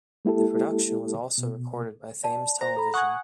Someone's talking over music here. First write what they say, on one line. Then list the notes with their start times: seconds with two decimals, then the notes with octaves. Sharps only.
The production was also recorded by Thames Television.
0.25 G#3 A#3 E4 G4 A4
1.38 B2
2.24 D5 A5
2.61 C5 A#5
2.77 A4 B5
2.94 F#5 G#5 C#6 D#6